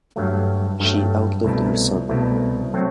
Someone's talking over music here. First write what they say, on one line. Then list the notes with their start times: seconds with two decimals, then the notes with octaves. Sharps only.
She outlived her son.
0.16 G2 F#3 A3
0.80 G2 F#3 A3
1.44 C2 B2 A3 E4
2.09 C2 B2 A3 E4
2.73 F#3 A3 C4 F#4